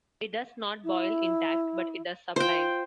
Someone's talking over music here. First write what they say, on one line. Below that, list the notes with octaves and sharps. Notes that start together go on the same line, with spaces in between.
It does not boil intact, but it does sublime.
E4
F4 C5 G5